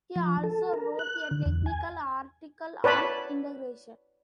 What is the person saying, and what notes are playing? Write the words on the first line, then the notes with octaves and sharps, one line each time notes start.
He also wrote a technical article on integration.
F3
A4
A#4
F#6
D3
E2
G#5
B4 C#5 D5 A5 B5